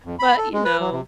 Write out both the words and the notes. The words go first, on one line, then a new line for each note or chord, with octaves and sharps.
but you know,
F2
B5
A4
G#3
B4
F#3
C3